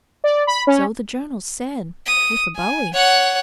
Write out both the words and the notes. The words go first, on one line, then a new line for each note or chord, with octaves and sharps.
"So the journals said; with a bowie!"
D5
B5
C#4
D#6
G#5
C#5 F#5